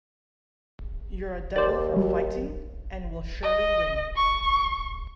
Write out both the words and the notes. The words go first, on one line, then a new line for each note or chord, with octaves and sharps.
You're a devil for fighting, and will surely win.
D#2 C5 D5
F#3 G3
D#5
C#6